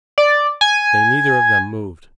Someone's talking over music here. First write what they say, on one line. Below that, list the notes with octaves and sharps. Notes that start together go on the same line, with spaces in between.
They neither of them moved.
D5
G#5